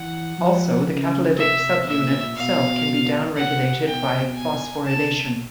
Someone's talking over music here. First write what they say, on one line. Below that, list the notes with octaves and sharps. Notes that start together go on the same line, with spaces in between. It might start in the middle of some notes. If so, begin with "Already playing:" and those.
Also, the catalytic subunit itself can be down-regulated by phosphorylation.
Already playing: E3 F#5
F3
C#3
C3 E5
A#2 E5
B2 F5
C3 F#5
B2 G5
G#5
C3 A5